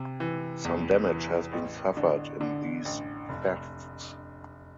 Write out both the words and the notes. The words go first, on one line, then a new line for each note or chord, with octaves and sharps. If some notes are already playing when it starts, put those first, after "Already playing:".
Some damage has been suffered in these thefts.
Already playing: C3
E3
E2
E3
A1
D3
D3
A1
F1